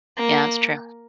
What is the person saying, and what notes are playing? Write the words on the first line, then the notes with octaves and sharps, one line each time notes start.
Yeah, that's true.
A#3